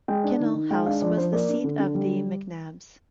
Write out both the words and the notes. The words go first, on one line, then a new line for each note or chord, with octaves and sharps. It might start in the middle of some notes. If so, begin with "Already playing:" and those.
Kinnell House was the seat of the MacNabs.
G#3 G5
D4
D#3
D#3
G#3 G5
D4 F5
F3 D5
F3 C5
A#3 D5
D4
D3
D3
G3